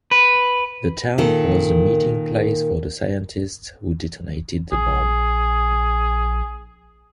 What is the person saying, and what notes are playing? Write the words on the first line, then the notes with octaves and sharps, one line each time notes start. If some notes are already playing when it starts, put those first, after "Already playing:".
The town was the meeting place for the scientists who detonated the bomb.
B4
A#2 D#3 A4
A#1 G#4